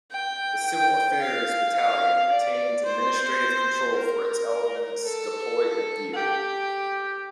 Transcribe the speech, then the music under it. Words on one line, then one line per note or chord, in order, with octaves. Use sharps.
The civil affairs battalion retains administrative control for its elements deployed in theater.
G5
G5
F5
F5
D5
C5
A#4
A4
G4